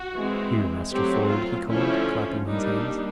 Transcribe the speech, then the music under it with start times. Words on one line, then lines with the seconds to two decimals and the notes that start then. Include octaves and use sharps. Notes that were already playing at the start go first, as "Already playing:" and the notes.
"Here, Master Ford," he called, clapping his hands.
Already playing: F#4
0.14 E3 G#3 C4
0.91 F#3 A3 C4 G4
1.29 F4
1.68 D3 F3 A3 C#4 E4
2.45 G3 A#3 D4 D#4